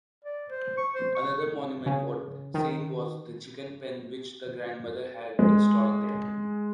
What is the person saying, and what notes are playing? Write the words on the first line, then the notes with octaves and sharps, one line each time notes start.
Another monument wort seeing was the chicken pen which the grandmother had installed there.
D5
C5
C#6
C5
C#6
C#3
D#3
G#3